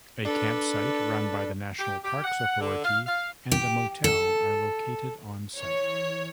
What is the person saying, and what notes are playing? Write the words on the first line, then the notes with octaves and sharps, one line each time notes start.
A campsite, run by the National Parks Authority, and a motel are located on-site.
D4 A4 B4
G4
G4
F#5
D3
F5
F5
G4
A4
E3 C#5